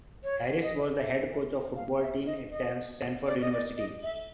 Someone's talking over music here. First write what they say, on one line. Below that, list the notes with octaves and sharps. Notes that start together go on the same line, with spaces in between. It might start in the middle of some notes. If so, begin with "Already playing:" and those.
Harris was the head coach of the football team at Stanford University.
C#5
D#5
E5
F5
E5
D#5
D#5
D5
D#5
D5
D#5
E5